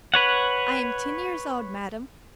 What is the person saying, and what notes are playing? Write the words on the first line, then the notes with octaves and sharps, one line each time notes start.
"I am ten years old, madame."
B4 C#5 F#5